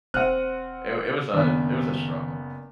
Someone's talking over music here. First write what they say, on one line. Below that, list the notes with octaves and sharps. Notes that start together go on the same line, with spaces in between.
it it was a it was a struggle.
E1 C4 F#5 F6 F#6 D#7
F#1 D#3 B3 D4